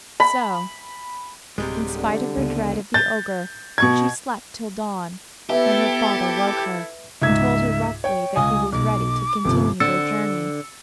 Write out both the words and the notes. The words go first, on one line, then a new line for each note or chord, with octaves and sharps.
So, in spite of her dread of the ogre, she slept till dawn, when her father woke her, and told her roughly that he was ready to continue their journey.
B5
D1 C3 G3 G#3
D3
C#2 C#3 B3
G6 A6
B2 C#6 G#6
B3 E4 G4 A4 B4 E5
C#2 G#2 E5 G#6
C#5 G5
C#2 F5 G#5 D#6
B1 D6
G1 C3 F3
D3 C4 E6 A6 C#7